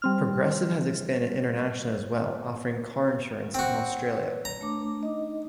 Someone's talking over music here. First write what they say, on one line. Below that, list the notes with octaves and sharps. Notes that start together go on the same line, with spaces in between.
Progressive has expanded internationally as well, offering car insurance in Australia.
G3 C4 F6
C4 F#4
B4 C#5
A#5
A3 D4 D6
D#4 D#5